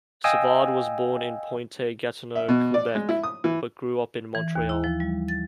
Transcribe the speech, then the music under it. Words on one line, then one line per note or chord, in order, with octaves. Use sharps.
Savard was born in Pointe Gatineau, Quebec, but grew up in Montreal.
D#5 F5 G5 G#5 D#6 E6
E5
B2
D5
G#3
E4
D#6
E3
E3
D#2
E4
F3
G3
A6